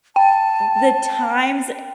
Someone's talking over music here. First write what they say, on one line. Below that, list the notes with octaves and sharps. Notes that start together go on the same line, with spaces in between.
the times, eh
G5 A5